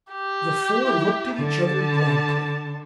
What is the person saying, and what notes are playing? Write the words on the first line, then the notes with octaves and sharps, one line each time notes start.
The four looked at each other blankly.
G4
E4
D3 A5